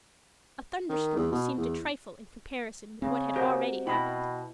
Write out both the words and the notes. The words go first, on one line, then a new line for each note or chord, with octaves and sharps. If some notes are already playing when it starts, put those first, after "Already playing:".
A thunderstorm seemed a trifle in comparison with what had already happened.
D#3
E2
B2
E2
C#3 C4
F#4 G4 A#4 C5 D#5 F#5
B2 E4 G5 B5 A#6